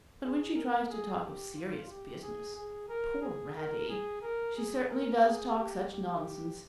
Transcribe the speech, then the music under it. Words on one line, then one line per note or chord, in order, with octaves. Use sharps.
But when she tries to talk of serious business--poor Radie! she certainly does talk such nonsense!
G#4
A#4
G#4
G4
F4
G4
G#4
G#4
A#4
G#4
A#4
G#4
A#4
G#4
A#4
G#4
G4
G4